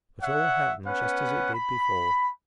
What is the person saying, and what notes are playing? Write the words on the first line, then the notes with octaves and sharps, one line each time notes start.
But all happened just as it did before.
C#5 E5 F#5
B3 C#4 B4 F#5
B5